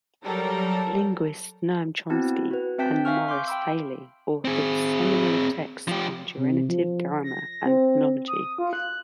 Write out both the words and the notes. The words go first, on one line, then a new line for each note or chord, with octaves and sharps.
Linguists Noam Chomsky and Morris Halle authored seminal texts on generative grammar and phonology.
F#3 G3 A4 A#4
B3 C4 E4 F#4 A5
F#4 B4
C4 E5 G5 A5 G6 B6
E5 F5 G#5 C#6 F6
C6 D6 G6
G5 B5 E6
C4 G#4
F3 G4
C3
F3
A#6
C4
D#6
F4
F#6